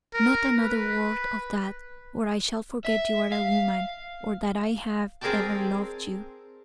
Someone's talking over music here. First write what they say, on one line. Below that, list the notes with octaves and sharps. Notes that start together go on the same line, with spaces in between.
"Not another word of that, or I shall forget you are a woman or that I have ever loved you."
A#4
B4
E5
F5
C4 G#4 A#4 D5 G5 A5